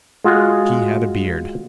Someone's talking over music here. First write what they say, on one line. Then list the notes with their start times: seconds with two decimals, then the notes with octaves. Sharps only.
She had a beard.
0.24 G#3 F4 F#4